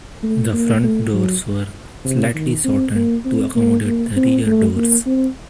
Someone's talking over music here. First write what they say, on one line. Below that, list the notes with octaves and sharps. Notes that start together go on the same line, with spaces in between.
The front doors were slightly shortened to accommodate the rear doors.
A3
A#3
A3
F#3
C3
D#3
C4
A#3
C4
A#3
A#3
C4
A3
A#3
C4